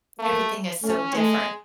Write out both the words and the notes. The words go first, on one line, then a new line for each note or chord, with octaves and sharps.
everything is so different.
A3 A#3
A3 C#4
G#3 A3